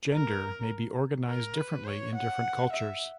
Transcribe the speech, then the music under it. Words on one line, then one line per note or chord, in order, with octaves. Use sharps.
Gender may be organized differently in different cultures.
A#4
A#4
B4
C#5
F#5
E5